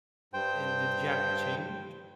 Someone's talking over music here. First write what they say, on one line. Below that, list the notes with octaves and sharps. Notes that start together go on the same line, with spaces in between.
and did you have to change?
G2 C5 G5